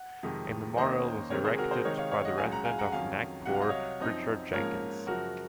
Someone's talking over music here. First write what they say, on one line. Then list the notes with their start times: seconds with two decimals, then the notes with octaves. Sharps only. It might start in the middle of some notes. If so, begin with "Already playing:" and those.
A memorial was erected by the Resident of Nagpur, Richard Jenkins.
Already playing: F#5
0.23 F2 C3 D#3 G#3
0.77 D#2 D#3 A#3 C#4 C5 D#5
1.30 C3 D#3 G#3 C4 A#4 C#5
1.44 G#4 C5
1.58 F#4 A#4
1.71 G#4 C5
1.84 C3 D#3 G#3 D#4 A#4 C#5
1.98 C#5 F5
2.11 C#5 F5
2.24 D#5 F#5
2.38 C#2 C#3 F#3 F5 G#5
2.52 F#5 A#5
2.65 F5 G#5
2.78 F#5 A#5
2.92 F2 D#3 F#3 C#4 F5 G#5
3.45 C2 C3 F#3 F#5
3.54 F5
3.61 D#5
3.69 C#5 F5
4.00 F#2 F3 C4 D#4
4.53 G#2 F3 A#3 C#4 A#4 C#5
5.07 F#2 C#3 F3 F#4 A#4